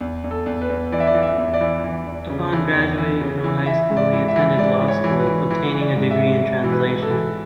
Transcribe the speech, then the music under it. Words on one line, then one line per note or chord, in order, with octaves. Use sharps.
Upon graduating from high school, he attended law school, obtaining a degree in translation.
E2
E2
A4
E2
B4
E2
E3 D5
E5
D5
E3
E5
E2
D5
E3
E3
E2
C#3
E3
E2
E3
C#3
E3
E3 E5
G#2
D5
E3
E5
E3
G#2 D5
E3
C#5
E3
B4
E3
E3
E3
D5
G#2
E5
G#2
G#2
E3
B4
G#2
A4
E3